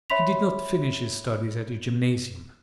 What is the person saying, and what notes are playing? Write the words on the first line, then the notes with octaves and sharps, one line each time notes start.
He did not finish his studies at the gymnasium.
C#5 E5 B5 C6 B6 F7